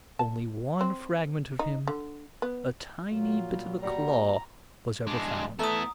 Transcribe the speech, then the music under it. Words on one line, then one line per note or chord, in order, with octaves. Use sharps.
Only one fragment of him, a tiny bit of a claw, was ever found.
A5
C4
D#4
D3
B3
A#2 F#3 F4
G3
G3 A#3 F#4 A#5
G#3 D4
A3 B3 E4 A#5 D#6